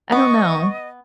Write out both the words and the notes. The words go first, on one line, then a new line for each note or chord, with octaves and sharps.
I don't know.
B3 D#5 C#6